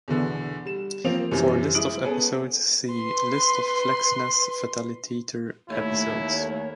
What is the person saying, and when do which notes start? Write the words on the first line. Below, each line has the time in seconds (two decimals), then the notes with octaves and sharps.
For a list of episodes, see List of Fleksnes Fataliteter episodes.
0.08 E2 B2 D3 E3
0.66 G3 E7
1.04 F3 A#3 C4 F4 F7
1.31 F#2 C3 E3
1.74 G#3 E4 D#6 D7 F#7
2.04 B3 C#4 G#4 A4
2.91 B4 C6
5.70 D#2 A3 E4 C#5